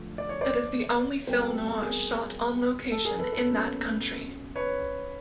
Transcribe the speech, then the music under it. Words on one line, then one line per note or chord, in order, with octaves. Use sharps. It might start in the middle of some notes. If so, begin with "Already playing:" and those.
It is the only film noir shot on location in that country.
Already playing: D3 F3 A3
D5
C#5
C5 D5
B2 G3 C4 A#4 C5
A4 B4
A4
A4
G#4 A#4
A4
G#4 A#4
A4 B4
A4 B4
B2 F#3 A#3 C#4
B4 C#5